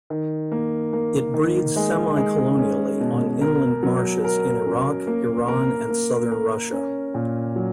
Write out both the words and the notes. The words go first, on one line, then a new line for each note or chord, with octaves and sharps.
It breeds semi-colonially on inland marshes in Iraq, Iran and southern Russia.
D#3
A#3
A#3
D#3
G#3
G#3
C#4
B2
A#4
F#3
A#4
C#4
A#3
A#4
A#3
A#4
C#4
A#2
F#3